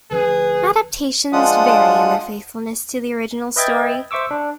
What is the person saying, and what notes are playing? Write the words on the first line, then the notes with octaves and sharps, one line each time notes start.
Adaptations vary in their faithfulness to the original story.
D2 F3 C#4 G#4 B4
F3 G#3 D4 F4 F#5 D#6
B4 D#5 E5 G5 G#6 A6
C5 E5 C#6 D6 E6
D4